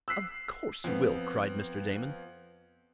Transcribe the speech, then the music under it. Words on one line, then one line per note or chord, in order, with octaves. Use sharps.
"Of course you will!" cried Mr. Damon.
E6 F#6 B6 C7
F2 B3